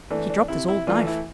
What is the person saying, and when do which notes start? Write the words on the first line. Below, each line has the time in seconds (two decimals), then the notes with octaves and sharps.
He dropped his old knife.
0.10 E3 A3 D4
0.30 D4
0.48 C3 E4
0.68 E4
0.87 E3 A3 D4 F4
1.07 E4